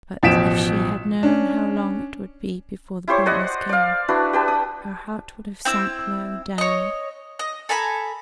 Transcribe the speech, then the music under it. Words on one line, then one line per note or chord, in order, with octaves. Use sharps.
But if she had known how long it would be before the brightness came, her heart would have sunk low down.
A1 B2 F3 B6 D7 E7
C#4 D4
E4 G4 C5 C#5
C5 D5 D#5 F#5
D5 F5
D4 E4 F#4 B4
G4 B4 A5
D#6
C4 E4 E6
C#5 D#5
D#5
A4 G#5 A#5 B5